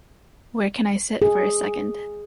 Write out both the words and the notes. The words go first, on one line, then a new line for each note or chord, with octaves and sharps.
Where can I sit for a second?
G#4